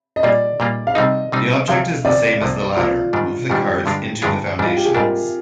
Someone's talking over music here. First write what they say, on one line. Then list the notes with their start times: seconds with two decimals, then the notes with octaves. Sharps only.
The object is the same as the latter: move the cards into the foundations.
0.16 D#5
0.23 A#2 G3 A#3 F4 D5
0.60 A#2 G3 A#3 F4
0.87 F5
0.95 C3 G3 C4 D#4 D#5
1.32 C3 G3 C4 D#4
1.68 D2 C3 F3 F5
2.05 D2 C3 F3 D5
2.41 C2 C3 F3 A#3
2.77 C2 C3 F3 A#3 F4
3.13 G#2 D#3 G3 D4
3.50 G#2 D#3 G3 D4 G4
3.86 G2 D3 G#3 D4 F4
4.22 G2 D3 G#3 D4 F4 G#4
4.59 G#2 G3 D4
4.66 F4
4.76 G4
4.85 G#4
4.95 G#2 G3 D4 A#4